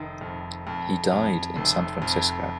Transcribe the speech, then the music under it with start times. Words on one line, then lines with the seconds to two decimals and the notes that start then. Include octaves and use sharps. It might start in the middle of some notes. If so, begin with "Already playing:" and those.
He died in San Francisco.
Already playing: F1 D#3
0.21 F2
0.67 F2
1.11 F2
1.56 F1
2.02 F2